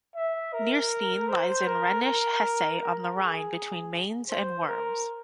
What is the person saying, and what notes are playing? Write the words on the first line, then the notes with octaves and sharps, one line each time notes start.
Nierstein lies in Rhenish Hesse on the Rhine between Mainz and Worms.
E5
A#4
C5
A#4
A#4
A#4
G#4
C5
A#4